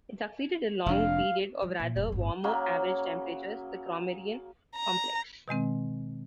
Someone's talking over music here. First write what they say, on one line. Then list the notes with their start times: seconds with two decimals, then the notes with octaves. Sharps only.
It succeeded a long period of rather warmer average temperatures, the Cromerian Complex.
0.86 F1 F2 D4 F5
1.62 G3
1.80 A#2
1.96 F1 F#2
2.12 G1 A2
2.44 C#3 F#3 A#3
4.76 A#5
5.48 B2 D#3 G#3 C4